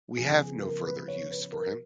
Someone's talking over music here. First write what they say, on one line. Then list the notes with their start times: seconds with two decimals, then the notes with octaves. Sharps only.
We have no further use for him.
0.17 C#3 F3 B3 G#4
0.40 G#4
0.62 A#4
0.86 B4
1.08 C#5
1.31 B4
1.52 A#4